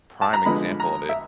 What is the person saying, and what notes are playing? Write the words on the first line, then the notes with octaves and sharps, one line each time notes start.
prime example of it
A5
A#5
D3 F3 G#3 B3 B5
A#5
E5